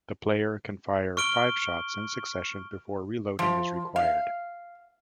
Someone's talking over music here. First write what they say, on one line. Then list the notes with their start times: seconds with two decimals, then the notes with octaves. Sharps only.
The player can fire five shots in succession before reloading is required.
1.17 C#6 F6 D7 G7
3.39 F3
3.96 F5